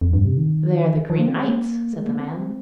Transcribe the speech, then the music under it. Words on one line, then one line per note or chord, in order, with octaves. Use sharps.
'They are the Green Knight's,' said the man.
F2
G2
C3
D#3
F3
A#3
C4
G#3
A#3
G#3
A#3
C4